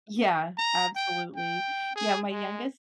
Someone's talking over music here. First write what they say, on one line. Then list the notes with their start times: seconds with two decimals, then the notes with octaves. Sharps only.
Yeah, absolutely. Yeah, my youngest
0.58 A#5
0.96 G5
1.36 G5
1.96 G#4
2.31 G#3